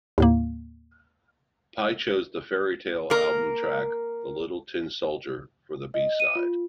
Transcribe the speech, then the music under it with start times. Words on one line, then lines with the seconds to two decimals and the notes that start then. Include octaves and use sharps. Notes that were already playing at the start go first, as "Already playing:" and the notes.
Pye chose the "Fairytale" album track "The Little Tin Soldier" for the b-side.
0.18 D#2 A2 A#3
3.10 A#3 A#4
5.94 D#5
6.20 D#7
6.36 F4